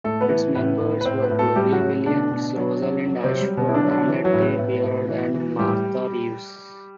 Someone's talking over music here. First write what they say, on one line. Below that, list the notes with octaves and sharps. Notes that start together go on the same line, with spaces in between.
Its members were Gloria Williams, Rosalind Ashford, Annette Beard and Martha Reeves.
A2 A3 A4
B3 B4
E3
A2 B3 B4
A2
B4
A2 C4 C5
B3 B4
A2
A3 A4
A2 G3 G4
F#3 F#4
A2
B2 D3 D4
B2
F#3
F#3
F#3
C3 C4
F#3
G3
B2 B3
E4
D3 D4
F#3
D3 D4
E3
F#3 F#4
A2
B3 B4
A2
A2
E3
E3
A2 G3 G4